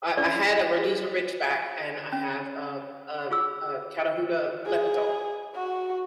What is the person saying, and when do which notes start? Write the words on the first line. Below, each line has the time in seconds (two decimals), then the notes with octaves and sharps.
I I had a Rhodesian Ridgeback, and I have uh uh uh, Catahoula Leopard dog.
0.17 C#4 D4 E4 D5
0.77 G#4
2.12 C#4
3.31 F4 G#4 E6
4.66 G#4
5.55 F#4